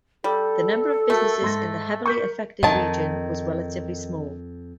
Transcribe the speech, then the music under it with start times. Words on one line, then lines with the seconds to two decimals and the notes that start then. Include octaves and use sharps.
The number of businesses in the heavily affected region was relatively small.
0.24 G3 A4
1.10 A3 F#4 A#4
1.42 G#2 C6 A#6
2.06 A#4 C#6 G6 B6
2.63 F2 D#3 A5